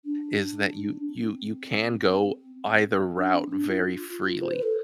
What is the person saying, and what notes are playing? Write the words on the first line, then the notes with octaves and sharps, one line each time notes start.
is that you you you can go either route very freely,
D4
C4
D4
C4
D4
F4
C5
B4
A4